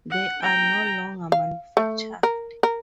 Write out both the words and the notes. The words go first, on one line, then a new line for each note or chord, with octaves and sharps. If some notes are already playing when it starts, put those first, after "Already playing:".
They are no longer manufactured.
F#5
G5 A#5
F5
A3
A#4
A#4